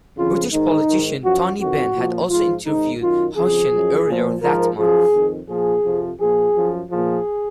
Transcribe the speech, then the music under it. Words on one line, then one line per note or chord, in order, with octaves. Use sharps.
British politician Tony Benn had also interviewed Hussein earlier that month.
F2 C#3 F3 F4
G#2 D#3 D#4
G#2 D#3
F#2 F3 F#4
F2 D#3 F#4
A#2 F3
G#2 F3 F4
G#2 D#3 D#4
F#2 D#3 F4
F2 C#3 F3 G#4
F#2 F3
A#2 F3
G#2 F3 A#4
F#2 F3 G#4
F2 D#3
A#2 F3 G#4
F2 C3 F3
A#2 F3 G#4
F#2 F3
A#2 F3 G#4